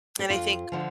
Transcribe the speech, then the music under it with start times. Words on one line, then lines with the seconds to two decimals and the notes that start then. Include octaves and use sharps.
and I think
0.19 G4
0.29 F2 F4
0.72 D3 F3